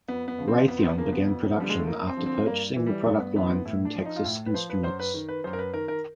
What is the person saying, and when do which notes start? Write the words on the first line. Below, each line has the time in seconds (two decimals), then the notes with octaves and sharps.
Raytheon began production after purchasing the product line from Texas Instruments.
0.08 F2 B3
0.28 B3
0.38 C#3 F3
0.48 C4
0.67 F2 B3
0.77 C4
0.83 B3
0.98 C#3 F3 A#3
1.12 B3
1.27 F2
1.57 D3 F3 G3
1.69 G#3
1.78 A3
1.86 F2 A#3
2.07 C4
2.17 D3 F3
2.26 C4
2.46 G2 A#3
2.76 E3
2.86 G3
3.06 G2 A3
3.20 B3
3.35 E3 B3
3.47 C4
3.50 B3
3.65 A2 E4
3.85 D4
3.95 F3
4.05 D#4
4.16 F4
4.25 A2 E4
4.46 B4
4.54 F3 C5
4.70 B4
4.84 F#2 C5
5.00 B4
5.14 D#3
5.29 B4
5.44 F#2 C5
5.53 A#4
5.59 B4
5.73 D#3 A#4
5.88 A#4